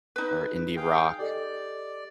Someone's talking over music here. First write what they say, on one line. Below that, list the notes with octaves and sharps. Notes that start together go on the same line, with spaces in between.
or indie rock,
D#4 B4
G#4 F5 G5
G4 A4 D5 D#5